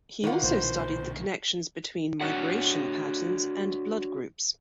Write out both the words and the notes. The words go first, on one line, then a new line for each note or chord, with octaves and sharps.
He also studied the connections between migration patterns and blood groups.
D#3 E3 F4 F#5
B1 A#2 D3 C5
D4 F#4 C#5 F#5